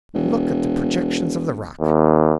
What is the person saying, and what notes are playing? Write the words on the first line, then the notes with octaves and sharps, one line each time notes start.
Look at the projections of the rock.
E1
D#2